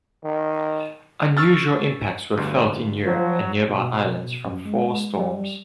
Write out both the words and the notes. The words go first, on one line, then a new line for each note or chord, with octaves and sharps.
Unusual impacts were felt in Europe and nearby islands from four storms.
D#3
C#6 E6 F6 A6
G1 D2 G2
F3 F#3
B2
F#2
G#3
G3